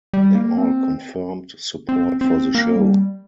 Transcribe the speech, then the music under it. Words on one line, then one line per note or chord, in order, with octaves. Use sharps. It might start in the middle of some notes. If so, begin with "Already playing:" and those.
They all confirmed support for the show.
G3
A#3
C4
C4
C4
A#3
G3